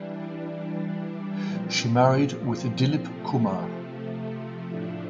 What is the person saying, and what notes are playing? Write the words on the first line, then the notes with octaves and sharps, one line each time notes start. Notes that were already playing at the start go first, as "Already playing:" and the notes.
She married with Dilip Kumar.
Already playing: E3 G3 D4
A#2 F3 C4
C3 F3 A3
A2 F3 A3 D4